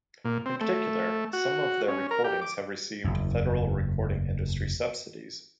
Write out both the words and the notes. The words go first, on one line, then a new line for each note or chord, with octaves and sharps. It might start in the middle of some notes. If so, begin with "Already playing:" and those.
In particular, some of their recordings have received federal recording industry subsidies.
A#2
C4
A3
F#4
C#4
A#4
G4
D6
F#1 E2